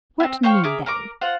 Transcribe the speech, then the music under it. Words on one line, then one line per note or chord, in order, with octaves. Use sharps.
What need they?
B3 C4
C5 C#5 F5 G5
G#4 A#4 E5 D6
A#4 A#5 D6
F4 C5 F#5